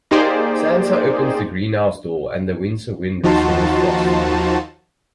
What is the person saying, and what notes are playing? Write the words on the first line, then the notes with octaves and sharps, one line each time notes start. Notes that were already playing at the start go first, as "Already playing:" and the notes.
Santa opens the greenhouse door and the winter wind restores Frosty.
A#3 D#4 G4 G#4 C5 D5
D#2 F3 D#4 F#4 A5 C6